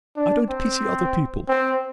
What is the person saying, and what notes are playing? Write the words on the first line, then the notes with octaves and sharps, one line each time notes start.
I don't pity other people.
D4
C4
C4